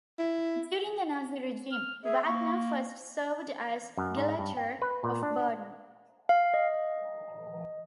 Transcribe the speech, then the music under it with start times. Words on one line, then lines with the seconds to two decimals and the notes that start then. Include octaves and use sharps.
During the Nazi regime, Wagner first served as Gauleiter of Baden.
0.19 E4
1.72 F6
2.05 G#4 E5
2.26 A#3 C#6
3.97 F#2
4.17 G#2
4.39 G2
4.57 G5
4.82 B4
5.04 A#2
5.23 D4
6.29 F5
6.54 D#5